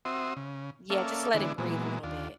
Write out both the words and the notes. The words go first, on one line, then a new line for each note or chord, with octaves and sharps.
Yeah, just let it breathe a little bit.
C4 F#4 E5 C6 D#6
C#3
A#3 C#4 A4 D5 E5 F5
D3 E3 G#3 B3 D4 E4
A#2 E3 F#3 G#3 B3
D#2 D4 F4